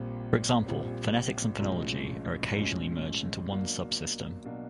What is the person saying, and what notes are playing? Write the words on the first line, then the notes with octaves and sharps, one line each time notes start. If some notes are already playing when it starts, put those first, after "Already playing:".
For example, phonetics and phonology are occasionally merged into one subsystem.
Already playing: A#1 A#2 G3 C4
A#1 A#2 G3 C4
B1 A2 F3 G#3 C#4
B1 A2 F3 G#3 C#4
B2 F#3 A#3 D4
B2 F#3 A#3 D4